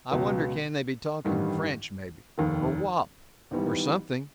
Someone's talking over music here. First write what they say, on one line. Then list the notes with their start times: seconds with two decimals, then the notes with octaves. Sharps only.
I wonder can they be talking French, maybe, or Wop, or something?
0.11 C#2 B2 F#3 B3
1.25 A1 G2 D#3 G3
2.38 F1 D#2 D#3
3.51 G#1 G#2 E3 G3 B3